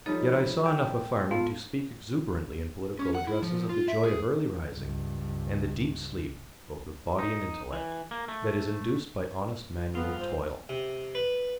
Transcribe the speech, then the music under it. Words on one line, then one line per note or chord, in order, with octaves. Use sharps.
Yet I saw enough of farming to speak exuberantly in political addresses of the joy of early rising and the deep sleep, both of body and intellect, that is induced by honest manual toil.
F3 G3 D#4 A4 C#5 D#5
G5
B3 F4 A4
C#4
F#5
E4
F3
F4
E5
G#4
C#2 G2
D#4
E3
A#3
A3
G2 B3 F4
C5
C3
B4